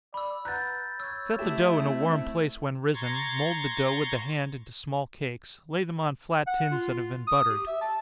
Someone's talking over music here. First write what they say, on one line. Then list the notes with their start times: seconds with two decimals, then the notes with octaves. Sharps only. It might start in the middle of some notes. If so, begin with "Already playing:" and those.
Set the dough in a warm place when risen, mould the dough with the hand into small cakes, lay them on flat tins that have been buttered.
0.14 D5 B5 E6
0.45 B4 F#5 A#5 F#6 G6 A6
1.00 C#5 E6 G#6
1.39 A3 E4 G4 A4 E5 E7
1.81 C4
2.94 A#5 C6 C#6 G#6 A6
6.47 F#5
6.72 F4
7.27 D#6
7.50 G4
7.67 E5
7.81 A5